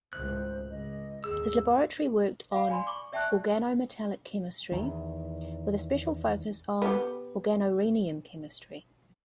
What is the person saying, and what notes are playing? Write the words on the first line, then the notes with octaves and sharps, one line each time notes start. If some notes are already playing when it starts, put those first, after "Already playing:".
His laboratory worked on organometallic chemistry, with a special focus on organorhenium chemistry.
G#1 C#2 A2 C5 F#6
C#2 D#5
G#1 D#2 G#4 E6
F5 B5
D5 G#5 B5 C6
C#6 D6
D5 E5 G5 A5 C#6 F#6
E2 D#3
B3 G4